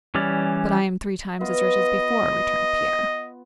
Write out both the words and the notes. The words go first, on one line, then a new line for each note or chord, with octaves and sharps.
"But I am three times as rich as before," returned Pierre.
E3 G3 C#4 D5
B3 F4 D#5